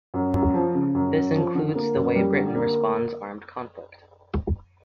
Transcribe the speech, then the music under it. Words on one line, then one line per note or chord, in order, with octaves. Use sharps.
This includes the way Britain responds armed conflict.
F#2
F#2
F3
C#3
F#2
F#2
F3
D3
A#3
F#2
G3
D3
A#3